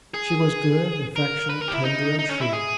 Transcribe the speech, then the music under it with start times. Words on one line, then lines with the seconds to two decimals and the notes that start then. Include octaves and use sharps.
She was good, affectionate, tender, and true.
0.14 G#4
1.16 A#4
1.50 B4
1.62 A#4
1.68 G4
1.74 E4
1.85 D#4
2.19 D#4
2.30 C#4
2.41 E4
2.53 G#4